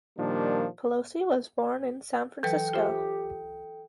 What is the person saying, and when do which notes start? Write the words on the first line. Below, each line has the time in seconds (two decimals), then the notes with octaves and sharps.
Pelosi was born in San Francisco.
0.18 A#2 D#3 F3 G3 A#3 D4
2.43 E3 F#3 A4 B4 G5
2.73 F4 G4 C5 E5